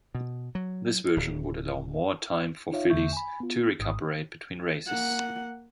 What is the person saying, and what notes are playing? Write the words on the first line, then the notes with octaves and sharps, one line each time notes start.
This version would allow more time for fillies to recuperate between races.
B2
F#3
D1
D#4 F4 C#5 E5 F5
E2 D3 A3 E5 C#6 G6
G#5 B5
B3 F4
G#1 G#2 D#6
A#3 F#5